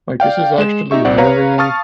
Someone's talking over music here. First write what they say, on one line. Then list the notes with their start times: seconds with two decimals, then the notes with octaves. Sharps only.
like, "This is actually really,
0.20 D5 F5 G5
0.58 G#3 E7
0.91 D#4 G4 E5 C#6
1.05 C2 C4 D5 F#5
1.18 B4 C#5 F5 A#5
1.58 F5 A5 C#6 D#6 F6 A6